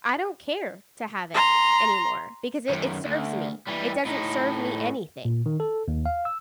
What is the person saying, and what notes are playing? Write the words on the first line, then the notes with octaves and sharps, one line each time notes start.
I don't care to have it anymore," because it it serves me, it doesn't serve me anything.
A#5 C6
F#2 D#3
D2
E3 G3
A2 D#4
A#2
D#3
A4
D#2
F5
E6